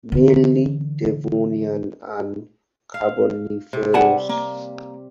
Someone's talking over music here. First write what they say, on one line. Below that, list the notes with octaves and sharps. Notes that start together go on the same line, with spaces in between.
Mainly Devonian and Carboniferous.
D3 E3
F5
C3
G3 F#5 G#5 A5
A#3